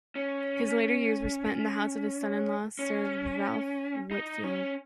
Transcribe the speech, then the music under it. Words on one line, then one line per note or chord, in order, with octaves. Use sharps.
His later years were spent in the house of his son-in-law, Sir Ralph Whitfield.
C#4
C#4
D#4
C#4